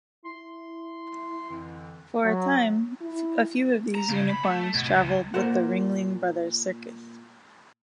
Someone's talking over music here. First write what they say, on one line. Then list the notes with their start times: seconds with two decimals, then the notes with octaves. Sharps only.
For a time, a few of these unicorns travelled with the Ringling Brothers Circus.
0.24 E4 C6
1.48 F2 D3 E3
2.24 F#3
3.01 E4
3.95 A#5
4.09 C#3
4.30 B5
4.43 A3
4.75 B2
4.88 C#2
5.34 A#2 A#4 C5 F#5